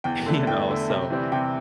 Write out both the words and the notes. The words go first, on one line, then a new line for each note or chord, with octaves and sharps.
you know? So,
E2 G5
D3 A3 E4
E2 G5
D3 A3 E4
C3
E3 G3 C4
C3 G5